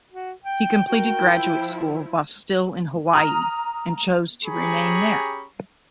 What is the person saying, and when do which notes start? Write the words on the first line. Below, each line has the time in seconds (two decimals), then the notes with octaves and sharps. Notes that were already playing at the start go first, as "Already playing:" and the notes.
He completed graduate school while still in Hawaii and chose to remain there.
0.12 F#4
0.44 G5
0.87 F#4 A#4 G5
1.19 F3 E4
3.15 A#5 D#6 F6
4.46 C#4 G4 G#4 A#5 B5 C#6